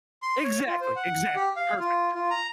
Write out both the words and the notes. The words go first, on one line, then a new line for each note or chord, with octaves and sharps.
Exactly, exactly, perfect.
C6
C#5
F4
C5
F#5
G4
F5
F4
F4
A#5